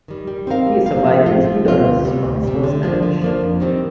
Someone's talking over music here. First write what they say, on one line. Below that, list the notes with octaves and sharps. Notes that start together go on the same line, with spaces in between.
He is survived by his two daughters from his first marriage.
D#3 G3
G3
C4 D#4 A#4 F5
G3
C4 D#4 A#4 F5
F3
C4 F4
F3
C4 F4
D2
C3 G3
D2
C3 G3
D3
F3 A#3 D4
D3
F3 A#3 D4
F2
D#3 G3 C4 G4